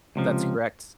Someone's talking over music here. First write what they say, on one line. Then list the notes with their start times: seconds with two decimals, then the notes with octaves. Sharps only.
That's correct.
0.16 C#2 C3 F3